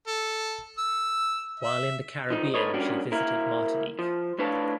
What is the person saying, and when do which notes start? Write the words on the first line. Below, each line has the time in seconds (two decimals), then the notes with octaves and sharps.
While in the Caribbean, she visited Martinique.
0.07 A4
0.78 E6
1.59 E5
2.30 F3 D#4
2.54 D2 D#3 A4 B4 C#5 D#5
2.74 G3 A#3 C#4 D4 F#4 G4
3.12 A#3 E4 A#4
3.99 F3
4.39 A2 D4 B4 C#5 F5 A5